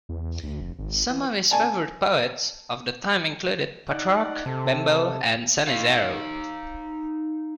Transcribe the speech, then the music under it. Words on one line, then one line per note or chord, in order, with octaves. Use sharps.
Some of his favorite poets of the time included Petrarch, Bembo, and Sannazaro.
E2
D2
F1
G#1
E3
G#5 A5
D#4 D5 F#5
C3 A4
D#4 F5